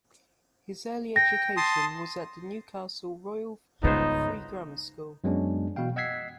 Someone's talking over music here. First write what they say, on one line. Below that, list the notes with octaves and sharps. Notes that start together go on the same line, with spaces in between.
His early education was at the Newcastle Royal Free Grammar School.
G5 A#6
A5 C6 D#6
C#2 G2 C#3 B3 D#4 C5
F#2 F#3 G#3 B3 C#4 D4
B2 E3 F5 G5
D#5 F#5 E6 G#6 B6 C7